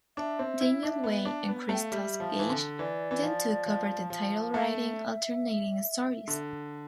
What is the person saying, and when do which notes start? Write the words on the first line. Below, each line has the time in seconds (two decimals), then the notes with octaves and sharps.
Daniel Way and Christos Gage then took over the title writing alternating stories.
0.17 D4 E5
0.39 C4
0.60 E4
0.83 D4
1.04 B3
1.25 D4
1.48 B3
1.69 A3 G5
1.82 F5
1.91 G3 E5
2.20 F3
2.39 E3
2.50 D3
2.79 E3 D5
3.11 E3
3.22 F3
3.66 F3
4.10 F3
4.53 A3 E5
6.28 D3